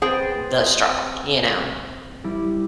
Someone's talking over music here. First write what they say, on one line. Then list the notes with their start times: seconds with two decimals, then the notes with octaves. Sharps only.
the straw, you know?
0.02 C4 G#4 B4 C5 G5 A6
2.24 G3 E4 G4